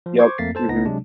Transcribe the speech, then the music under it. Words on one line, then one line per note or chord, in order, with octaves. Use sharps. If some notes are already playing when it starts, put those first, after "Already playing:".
Yep, mhm.
F3
C5 C#6 D6 G#6
F2 A3 A#3 A6 B6 C7
A4 C5 A5
C#2 B3 D#4 A#6
C3 F#3 G#3 D4